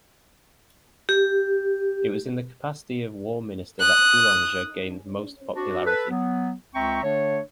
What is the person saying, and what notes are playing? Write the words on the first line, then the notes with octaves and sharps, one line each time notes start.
It was in the capacity of War Minister that Boulanger gained most popularity.
G4
D#6 F#6
D4 F#4
A4 B4
F#3 B3
C#2 C4 E5 G5 A#5 C#6
D3 A3 D4 C#5